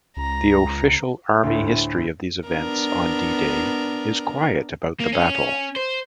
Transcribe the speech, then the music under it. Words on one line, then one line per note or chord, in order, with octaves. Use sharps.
The official Army history of these events on D-Day is quiet about the battle.
C#2 A#5
D2 A2
B3 D4 A#4
A#3
C#4
C5